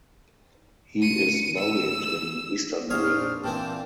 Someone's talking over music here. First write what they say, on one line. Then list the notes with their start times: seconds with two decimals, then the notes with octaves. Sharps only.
He is buried in Istanbul.
1.01 C#7 D#7
1.57 E6 E7
2.90 A#1 F2 D4 C5 C#5 D#6 F6
3.44 A#2 E3 C4 G5 A5